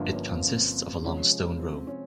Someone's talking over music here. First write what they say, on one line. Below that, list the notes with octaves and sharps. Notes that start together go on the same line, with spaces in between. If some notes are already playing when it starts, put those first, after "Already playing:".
It consists of a long stone row.
Already playing: G1 G2 F3 A#3
C#4
C4
C4
C3 F3 G#3 C#4
C4
C#4